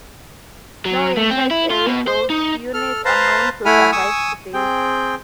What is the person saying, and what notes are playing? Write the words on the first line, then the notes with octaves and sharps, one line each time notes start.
No intact Erie-built units are known to survive today.
F#3
A3
C4
E4
F4
B2
C5
D#4
A4 F6
B4 C5 F5 A5 A#5
A3 E4 F#5 G#5 B5 F6
G#5 C#6 D#6 E6
C4 G#4 G5